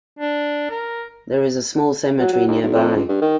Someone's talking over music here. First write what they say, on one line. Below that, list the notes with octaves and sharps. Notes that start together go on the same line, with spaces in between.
There is a small cemetery nearby.
D4
A#4
F#3
F#3
D#2
B1
F2
C#2
G2
D#3